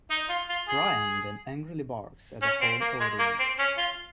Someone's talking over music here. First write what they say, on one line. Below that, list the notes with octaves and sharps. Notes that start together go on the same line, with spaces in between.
Brian then angrily barks at the home audience.
D#4
F4
F4
G#4
C#4
C4
A#3
G#3
A#3
C4
C#4
F4